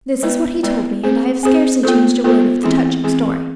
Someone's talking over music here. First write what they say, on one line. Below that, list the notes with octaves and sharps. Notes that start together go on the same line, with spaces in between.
This is what he told me, and I have scarcely changed a word of the touching story.
G#3 B3 E4 B4 D5
G#3 B3 E4 B4 D5
C4 G#4 C5
C4 G#4 C5
B3 F4 A4 C5
B3 F4 A4 C5
E3 G#3 C4 E4 G#4
E3 G#3 C4 E4 G#4